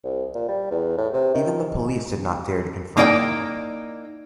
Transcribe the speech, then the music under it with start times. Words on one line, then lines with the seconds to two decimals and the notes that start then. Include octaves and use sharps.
Even the police did not dare to confront him.
0.04 C2
0.35 A#2
0.48 G3
0.71 E2
0.98 A2
1.13 C3
1.34 D#3
2.97 A#3 D#4 E4 D5 F5 G5